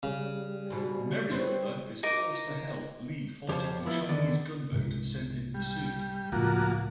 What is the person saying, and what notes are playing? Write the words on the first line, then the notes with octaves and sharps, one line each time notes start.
Merryweather is forced to help Lee fight off a Chinese gunboat sent in pursuit.
C#3 G3
G#2 B2
C4 B4 C#5
D#4 A#4 D6
F2 G4 C5 C#5 F5 A5
F3 B3 E4 F4
E2 D3 D#3 B3 D5
C2 G#2 C3
G3
C#2 A2 F3 A#3 F#4